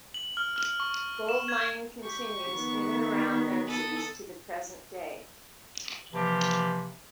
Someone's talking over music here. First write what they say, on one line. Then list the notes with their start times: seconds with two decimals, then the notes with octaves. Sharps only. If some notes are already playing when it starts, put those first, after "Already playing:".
Gold mining continues in and around Menzies to the present day.
0.14 F#7
0.37 F6
0.56 F6
0.80 C#6
1.29 E7
1.48 G#6
2.03 G4 C#6
2.52 D#3 B3
3.67 A4 D#6
6.13 C3 E3 F3 A#3 G4